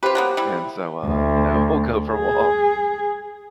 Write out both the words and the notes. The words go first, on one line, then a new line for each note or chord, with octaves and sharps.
And so, uh, you know, we'll go for a walk.
F4 G4 B4 C5
F#3 A#3 B3
G3 E4
D2
G#4